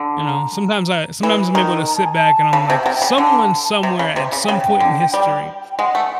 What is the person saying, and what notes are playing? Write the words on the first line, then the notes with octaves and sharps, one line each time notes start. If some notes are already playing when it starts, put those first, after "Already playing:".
you know? Sometimes I sometimes I'm able to sit back and I'm like, "Someone somewhere, at some point in history,
Already playing: D3
A#5
E3
D#3
A#5
A5
G#5
A5
C#3
C3
C3 F#5
G5
C#3
G#5
D3 A5
C3
C#3
C3
C#3
G#5
C#3 G5
D3
G3
G5
G#3 F#5
A3